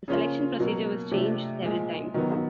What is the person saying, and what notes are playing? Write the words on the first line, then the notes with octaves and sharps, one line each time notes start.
The selection procedure was changed several times.
C#3 F3 A#3 C#4 F4
B2 F#3 A#3
C3 F3 A3 D4
A#2 F3 G#3
D#3 F#3 B3